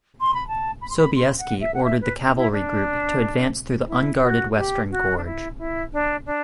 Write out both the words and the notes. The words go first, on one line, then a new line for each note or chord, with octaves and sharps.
Sobieski ordered the cavalry group to advance through the unguarded western gorge.
C6
B5
A5
B5
C6
B5
C6
F#5
E5
F#5
E5
B4
E4
D4
E4
F#4
G4
F#4
D4
E4
E4
D4
D4